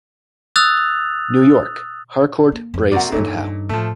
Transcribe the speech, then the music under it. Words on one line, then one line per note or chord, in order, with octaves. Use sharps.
New York: Harcourt, Brace and Howe.
D#6 E6 F#6 A6 F7
A#3
F2
C3 A#3 F#4 D5 F#5
G2 A#2 E3 D#4 A4 C#5
A2 F3 A3